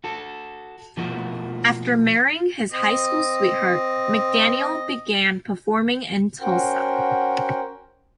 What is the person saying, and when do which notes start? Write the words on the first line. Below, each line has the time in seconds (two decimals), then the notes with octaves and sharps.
After marrying his high school sweetheart, McDaniel began performing in Tulsa.
0.04 F#4 A4
0.97 B2 F3 A3 A#3 E4 F#4
2.71 C4 D#5
6.41 C#4 F#4 A#4 C5 F#5 G5